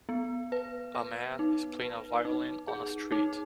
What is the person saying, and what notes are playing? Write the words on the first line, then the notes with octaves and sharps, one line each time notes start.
A man is playing a violin on a street.
B3
B4
B4
D#4
B4
D#4
G#4
D#4